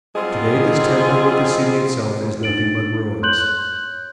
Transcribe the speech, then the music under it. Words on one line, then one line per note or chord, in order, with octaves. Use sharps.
Today this temple with the city itself is nothing but ruins.
F#3 G3 C4 F4 G#4 D#5
D4 D#4 A6 D7 F#7
C#5 C6 F#6 G6 F#7